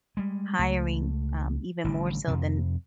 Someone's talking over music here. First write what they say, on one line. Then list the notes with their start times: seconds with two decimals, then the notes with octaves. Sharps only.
hiring, um, even more so than
0.17 G3 G#3
0.59 C#2 A3
1.84 A1 D3 G3
2.28 F2 C3